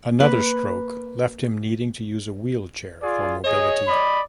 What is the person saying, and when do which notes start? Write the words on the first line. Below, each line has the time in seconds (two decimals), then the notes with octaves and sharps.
Another stroke left him needing to use a wheelchair for mobility.
0.20 A#3 B4
3.02 F4 G#4 D5
3.44 G#4 C#5 D#5
3.88 D5 D#5 B5